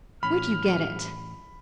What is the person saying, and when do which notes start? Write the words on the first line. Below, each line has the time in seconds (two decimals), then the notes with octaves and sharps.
"Where'd you get it?"
0.23 A2 E3 C#4 B5 F6